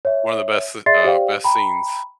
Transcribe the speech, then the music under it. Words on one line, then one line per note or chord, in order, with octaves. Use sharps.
one of the best, uh, best scenes,
C#5 E5
G#4 D5 E5 C6 A6 C7
G4 C5 D5 F5 G5
G5 A#5 B5